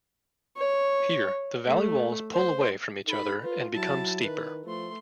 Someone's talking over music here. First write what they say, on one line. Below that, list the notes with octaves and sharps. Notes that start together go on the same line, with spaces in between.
Here, the valley walls pull away from each other and become steeper.
C#5
A3
C5
D#4 A4 B5
F4 B4
F#3 E4 A5
D#3 B4
F3 A3 C6